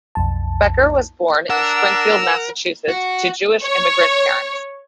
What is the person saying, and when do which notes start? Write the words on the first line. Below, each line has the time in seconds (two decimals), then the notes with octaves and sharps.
Becker was born in Springfield, Massachusetts, to Jewish immigrant parents.
0.15 B1 F2 A5
1.50 D4 A#4 F#5 E6
2.88 F#4
3.63 C#5